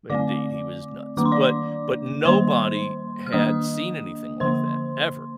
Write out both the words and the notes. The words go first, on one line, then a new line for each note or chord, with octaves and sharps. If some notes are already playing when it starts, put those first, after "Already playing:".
Indeed, he was nuts. But but nobody had seen anything like that, ever,
D3 A3 C4 D5 D6
D#3 A#3 D4 D6
C6
D5 D6
D#3 G3 A#3 C5 C6
F6
D#3 A#3 D4 D#5 D#6
D3 F3 A#3 C5 C6